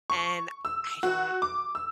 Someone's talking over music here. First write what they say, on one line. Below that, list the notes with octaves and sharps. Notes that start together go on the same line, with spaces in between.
and I don't
C#6
E6
F#4
D6
E6